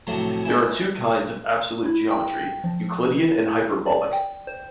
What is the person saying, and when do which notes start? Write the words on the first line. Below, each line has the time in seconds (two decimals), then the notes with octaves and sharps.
There are two kinds of absolute geometry, Euclidean and hyperbolic.
0.07 A2 C3 F3 F#3
0.43 G#2 E4 G#5
1.86 E4
2.11 G5
2.64 F3
3.17 E4
3.86 D5
4.13 G5
4.47 C5